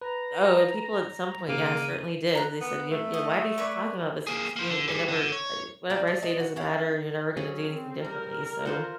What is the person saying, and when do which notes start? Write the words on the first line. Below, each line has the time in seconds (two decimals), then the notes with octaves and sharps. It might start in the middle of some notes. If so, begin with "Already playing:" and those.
Oh, people at some point, yeah, certainly did. They said, you're yeah, “Why do you keep talking about this? It's you it never I whatever I say doesn't matter, you're never gonna do anything differently, so,
0.02 B4 A#5
1.48 C#3 A#3 D#7
2.35 A#5 F#6
2.61 B3
2.91 A3
3.14 D#5
3.58 B4 C#5 D5
4.27 A#3 G#4
4.56 F3 A#3
4.69 D3
4.88 G3 G#4
5.08 D3
5.32 C#5
5.90 G3 A#3 D5 F5
6.07 F#3 F5 A5
6.22 F3 D4 D#5 A5
6.40 F#4
6.56 C#4 E4 F5 F#5
7.37 F#3 C#4 G#4
7.72 C4
8.05 G3 A#4
8.65 F4 C5 F#5